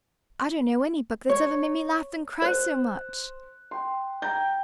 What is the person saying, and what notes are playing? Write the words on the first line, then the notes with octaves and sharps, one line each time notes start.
"I don't know any book that's ever made me laugh and cry so much."
C#5
C5 F#6
G5 C6
G5 A#5 G6